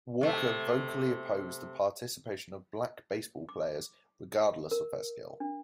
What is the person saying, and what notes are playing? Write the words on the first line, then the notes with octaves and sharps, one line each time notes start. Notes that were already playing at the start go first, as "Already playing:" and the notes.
Walker vocally opposed the participation of black baseball players regardless of their skill.
C3 A3
D6
A#4
D4